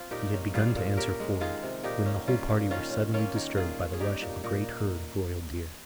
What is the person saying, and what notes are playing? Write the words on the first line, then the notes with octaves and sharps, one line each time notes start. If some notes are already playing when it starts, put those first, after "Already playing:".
He had begun to answer Ford, when the whole party were suddenly disturbed by the rush of a great herd of Royal deer.
Already playing: C4 F4
A#2 D#4 G4
C#4
G3 F4 G#4
A#2
C#4 G4 A#4
G#3
D#3 F4 G#4
C3
A#2 D#4 G4
C#4
G3 C#4 F4
A#2
D#3 C#4 F4
C#4
A#3 C#4 F4
D#3
A#2 F4 G#4
C#4
G#4
G3 D#4 G4
A#2
A#2 D#4